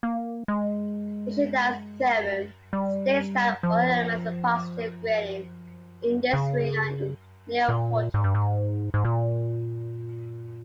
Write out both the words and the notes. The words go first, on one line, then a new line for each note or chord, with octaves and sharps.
Nishida's theorem states that all elements of positive grading in this ring are nilpotent.
A#3
G#3
G3
F3
C#3
A#2
G#2
G2
G#2
G#2
A#2